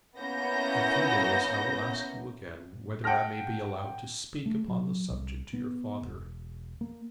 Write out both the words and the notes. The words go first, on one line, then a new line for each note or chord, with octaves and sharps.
In a few days I will ask you again whether I may be allowed to speak upon the subject to your father.
A#3 B3 C#4 E4 G6 A#6
F#5 G5 A5 F6 A#6
A3
F#3
C2
B3
E1
A#3